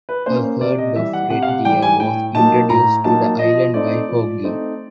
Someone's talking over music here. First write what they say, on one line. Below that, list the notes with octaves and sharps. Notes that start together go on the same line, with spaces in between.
A herd of red deer was introduced to the island by Haughey.
B4
A#3 C#4 C5
C5
C3 D5
D#5
E3 G3 E5
F#5
C3 F#5
F5
F#5
E3 G3 G5
G#5
A2 G5
F#3 A#3 D#4 A5
A2 A#5
F#3 A#3 D#4 A5
F3 D#5
A3 C4 D#4 D5
F3
A3 C4 D#4